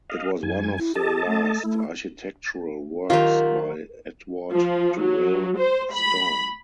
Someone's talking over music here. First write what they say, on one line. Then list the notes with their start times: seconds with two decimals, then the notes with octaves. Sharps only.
It was one of the last architectural works by Edward Durell Stone.
0.10 D#5 F5
0.43 F#2 G#5
0.79 E4
0.95 G4 A4 D#5 A5
1.27 A3
1.64 A3 E4
3.10 D#3 F#3 F4 G4
4.53 F3
5.00 F#3
5.58 C5
5.94 B5